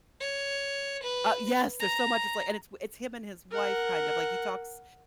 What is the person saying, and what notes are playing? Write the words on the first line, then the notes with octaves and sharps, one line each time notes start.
uh, yes there's so much it's like, and it's w it's him and his wife kind of like, he talks,
C#5
B4
A#5
A#4 F#5